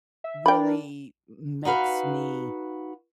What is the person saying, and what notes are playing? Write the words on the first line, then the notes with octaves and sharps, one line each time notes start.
really m makes me
E5
D4 A#4 D5 G5 B5
D#4 F#4 B4 F5